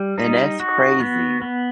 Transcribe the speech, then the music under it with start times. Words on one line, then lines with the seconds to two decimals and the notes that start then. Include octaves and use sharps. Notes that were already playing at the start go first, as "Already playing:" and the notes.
And that's crazy.
Already playing: G3
0.18 D#4
0.60 F#4
1.00 B3
1.42 B3